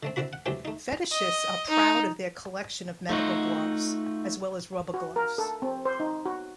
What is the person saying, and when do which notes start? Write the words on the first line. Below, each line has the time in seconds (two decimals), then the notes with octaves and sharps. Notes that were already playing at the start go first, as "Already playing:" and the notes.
Fetishists are proud of their collection of medical gloves, as well as rubber gloves.
0.03 D3 A3 C4
0.16 D3 C4 E4 F#4 B5
0.33 F#5
0.46 D3 E3 F#3 A3 C4 G4
0.65 A3 D#4
1.12 D#5
1.70 D#4
3.09 A3 D#4 F4 F#4
4.94 F#4
5.16 A#4
5.38 A4
5.62 C4
5.85 C5
6.00 D#4
6.26 F#4